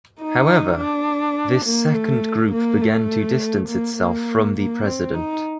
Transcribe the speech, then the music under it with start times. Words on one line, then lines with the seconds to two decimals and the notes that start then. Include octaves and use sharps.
However, this second group began to distance itself from the President.
0.20 D#4
0.78 D4
1.65 A#3
1.94 A3
2.52 A#3
2.81 A3
3.69 A#3
3.97 A#3
4.56 A#3
4.85 C4
5.14 D#4